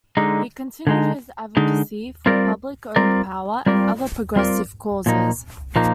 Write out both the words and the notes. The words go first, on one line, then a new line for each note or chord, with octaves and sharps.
He continued his advocacy for public owned power, and other progressive causes.
D3 G#3 D#4
D3 G#3 D#4
D3 G#3 D#4
G3 C4 F4 A#4 D5
G3 C4 F4 A#4 D5
G3 C4 F4 A#4 D5
G3 C4 F4 A#4 D5
A#2 F3 A#3 D#4
A#2 F3 A#3 D#4